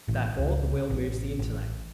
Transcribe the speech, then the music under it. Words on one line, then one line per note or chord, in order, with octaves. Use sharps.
Therefore the will moves the intellect.
A1
C#2
A1
A1